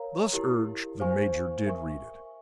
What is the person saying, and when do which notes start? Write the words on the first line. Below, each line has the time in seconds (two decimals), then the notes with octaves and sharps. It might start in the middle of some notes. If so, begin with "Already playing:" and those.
Thus urged, the Major did read it.
Already playing: A#4 C#5 F5 A#5
0.33 E4 G4 A#4
1.00 C5 F5 G#5 C#6
1.66 A#4 E5 G#5 C#6